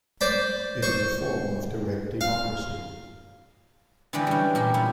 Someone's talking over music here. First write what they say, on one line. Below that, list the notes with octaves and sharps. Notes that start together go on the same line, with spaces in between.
It is a form of direct democracy.
C5 D5 B5
C5 C#6
F5
D3 E3 G#3 G4 B4 D5
G3 C#4
A#2 G4 B5
B3 E4 F4